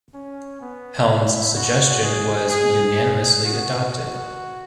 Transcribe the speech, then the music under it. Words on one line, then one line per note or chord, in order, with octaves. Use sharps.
Helm's suggestion was unanimously adopted.
C#4
B3
E4
F#4
G#4
G#4
G#4
F#4
F#4